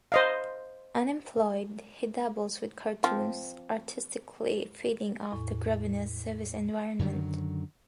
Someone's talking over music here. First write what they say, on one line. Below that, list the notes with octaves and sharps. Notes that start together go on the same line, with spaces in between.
Unemployed, he dabbles with cartoons, artistically feeding off the grubbiness of his environment.
C5 D#5 F5
F3 C4
E2 A2
F#2 D3 D#3 F#3